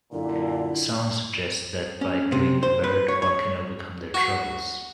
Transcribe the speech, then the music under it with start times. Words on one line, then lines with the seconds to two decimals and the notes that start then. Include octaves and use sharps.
The song suggests that by "doing the bird", one can overcome their troubles.
0.12 F#2 A#2 D3 E4
2.01 C#4
2.32 C3
2.63 C5
2.84 B4
3.08 C#5
3.22 C#5
4.14 F#4